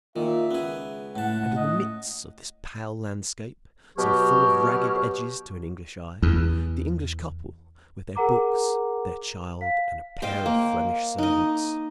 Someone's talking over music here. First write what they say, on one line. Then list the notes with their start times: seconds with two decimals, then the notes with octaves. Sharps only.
And in the midst of this pale landscape, so full of ragged edges to an English eye, the English couple, with their books, their child, and a pair of Flemish servants.
0.16 A#2 D#3 E5
0.51 C#2 B3 G#4
1.16 A2 F#5 A5
1.56 D#5
3.97 B2 F#3 G4 C#5 F6
6.22 E2
8.16 G#4 A#4 F#5 A#5 D6
9.61 F5 B6
10.22 C5 D#5 F5 G5
10.46 A#3
11.18 D#4 D#5